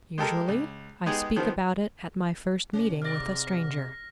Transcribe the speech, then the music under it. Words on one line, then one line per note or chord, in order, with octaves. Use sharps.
Usually I speak about it at my first meeting with a stranger.
G#3 G4 A4 A#4
C#2
G#3 B3 D#4 G4 G#4
D#3 F3 B3 C4
C3 C#4
G#2 D5 F6 A#6